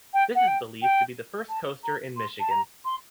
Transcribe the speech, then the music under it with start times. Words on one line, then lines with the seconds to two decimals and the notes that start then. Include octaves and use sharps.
This is believed to be the first coaster in Michigan.
0.14 G5
0.35 F#5
0.48 G5
0.82 G5
1.49 A5
1.83 A#5
2.17 C6
2.40 A5
2.51 A#5
2.85 C6